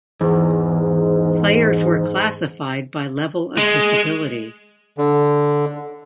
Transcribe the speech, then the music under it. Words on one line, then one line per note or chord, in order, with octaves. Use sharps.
Players were classified by level of disability.
E2 G#2
G#3
D3